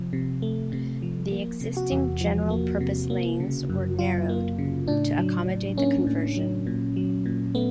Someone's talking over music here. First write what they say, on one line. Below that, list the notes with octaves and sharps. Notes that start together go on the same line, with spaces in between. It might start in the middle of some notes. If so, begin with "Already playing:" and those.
The existing general-purpose lanes were narrowed to accommodate the conversion.
Already playing: C3 F3
C3
A3
C3
F3
A#3
C3
F#4
E2
F3
A#3
C3
A#3
C#3
F#2
F#3 F4
A#3
C#3
A2 D4
F#3
A2
A#3 C#4
A2
F#3
A#2
F#3
A#2
A3 B3